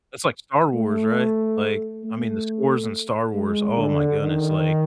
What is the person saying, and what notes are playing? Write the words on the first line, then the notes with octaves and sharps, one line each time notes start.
That's like Star Wars, right? Like, I mean, the scores in Star Wars, oh my goodness, like,
A3
A3
G#3
D3
D#3